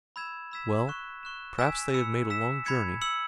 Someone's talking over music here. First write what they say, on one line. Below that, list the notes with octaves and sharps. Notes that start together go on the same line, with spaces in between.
Well, perhaps they have made a long journey.
B5 E6 G#6 E7
B5 E6 G#6 B6 E7
C#6 F#6 E7
C#6 F#6 E7
G#5 E6 G#6 B6 E7
B5 E6 C#7
E6 B6 E7
B5 G#6 C#7
E6 C#7 F#7